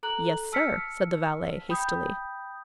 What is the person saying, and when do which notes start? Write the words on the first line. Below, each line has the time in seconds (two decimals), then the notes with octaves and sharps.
"Yes, sir," said the valet hastily.
0.03 A4 A#5 F#6 F#7
0.52 A5 E6 F6 B6 C#7
1.69 G5 B5 D#6 G6